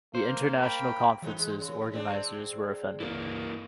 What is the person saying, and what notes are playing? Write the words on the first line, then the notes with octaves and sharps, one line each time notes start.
The international conference's organizers were offended.
A#3 C5
G5 B5
E3 F3 G#3 D#4
G#3
C#3
G#3 C4 D4
G1 C#2 E3 A#3